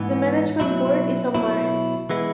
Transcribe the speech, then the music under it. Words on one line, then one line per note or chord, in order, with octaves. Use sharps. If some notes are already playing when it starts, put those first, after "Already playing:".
The management board is in Marennes.
Already playing: G#2 E3 B3
B2 F#3 E4
B2 F#3 E4
E3 G#3 B3 E4